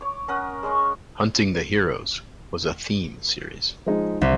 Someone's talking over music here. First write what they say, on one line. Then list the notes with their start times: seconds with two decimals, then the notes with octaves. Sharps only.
"Hunting the Heroes" was a "theme" series.
0.01 C#5 D6
0.28 C#4 A#4 F#5 D#6
0.63 G#3 C#4 C6 C#6
3.86 F3 G#3 D#4
4.21 C2